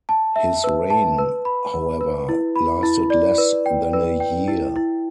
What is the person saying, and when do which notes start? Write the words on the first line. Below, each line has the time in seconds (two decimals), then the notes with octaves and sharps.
His reign, however, lasted less than a year.
0.09 A5
0.36 E5
0.64 B4
0.90 A5
1.18 B4
1.45 B5
1.73 B4
2.01 B4
2.29 E4
2.56 B5
2.83 E4
3.10 D5
3.38 B4
3.66 G5
3.93 B4
4.20 G5
4.48 E4
4.76 E4